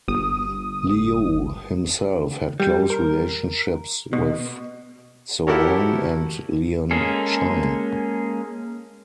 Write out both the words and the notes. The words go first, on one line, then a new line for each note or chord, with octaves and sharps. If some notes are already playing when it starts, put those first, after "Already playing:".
Liu himself had close relationships with Soong and Lien Chan.
G1 D#6
G3
A#4
B2
E4 F#4 G4 A4 A#4 C#5
G#3 A#3 C#4 G#4 A4